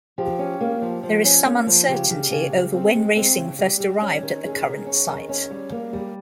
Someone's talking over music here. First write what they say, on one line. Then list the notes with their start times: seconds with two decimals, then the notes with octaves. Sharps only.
There is some uncertainty over when racing first arrived at the current site.
0.18 F3 G4
0.39 C#4
0.61 A#3
0.82 F3
1.03 F3
1.25 C#4
1.45 A#3
1.67 F3
1.88 C#3 G4
2.10 C#3
2.30 C#3
2.52 C#3
2.74 C4
2.95 G#3
3.17 C4
3.38 C#3
3.59 G3
3.80 G3
4.02 C#4
4.23 D#3
4.44 C#4 G#4
4.65 D#3
4.87 C#4
5.08 D#3
5.29 C#4
5.51 G3
5.72 A#3
5.93 G3